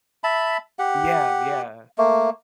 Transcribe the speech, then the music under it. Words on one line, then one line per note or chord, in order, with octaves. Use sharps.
Yeah yeah.
E5 A5 B5
G4 F#5
A3 A#3